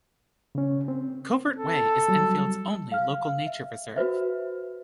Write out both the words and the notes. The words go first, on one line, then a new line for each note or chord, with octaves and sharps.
Covert Way is Enfield's only Local Nature Reserve.
C#3 C#4
C4
A4
F#3 G3
F5 F6
E5
F#4 B4 C5 E5